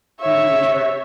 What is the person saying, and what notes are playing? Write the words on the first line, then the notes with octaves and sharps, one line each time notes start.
in the future,
C#5 E5